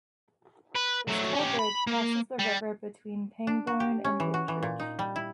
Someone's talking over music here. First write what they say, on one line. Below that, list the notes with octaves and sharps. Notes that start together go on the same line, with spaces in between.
This toll bridge crosses the river between Pangbourne and Whitchurch.
B4
F#3 A3
C#4 G4
B5
A#3
G3
D4
F#4
G4
C#4
E3
F#4
E3
A#2
D#4
G3
E4